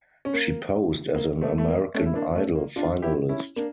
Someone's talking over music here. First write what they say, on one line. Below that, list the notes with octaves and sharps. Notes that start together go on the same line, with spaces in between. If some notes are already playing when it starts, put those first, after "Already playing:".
She posed as an American Idol Finalist.
C#4
A#3
A#3
A3
A3
A#3
A3 C#4
E4
A#3 D4
A3 C#4
A#3
D4 F4
E4 G4
C#4 E4
A#3 D4